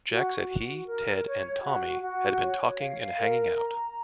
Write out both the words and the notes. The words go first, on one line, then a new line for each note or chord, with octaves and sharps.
Jack said he, Ted, and Tommy had been talking and hanging out.
F#4
F#4
A#4
C#5
F#4
F#4
C#5
F5
A#4
A#5